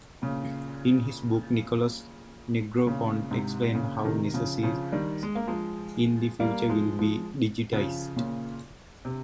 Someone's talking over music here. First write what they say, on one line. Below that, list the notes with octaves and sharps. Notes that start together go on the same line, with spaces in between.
In his book, Nicholas Negroponte explains how necessities in the future will be digitized.
A#2 C#3
A#2 C#3
G#2 C3
A#2 C#3
C3 D#3
C#3 F3
C#3 F3
D#3 G3
G#3
A#3
F3 G#3
G3 A#3
F3 G#3
F3 G#3
C#3 F3
A#2 C#3
C3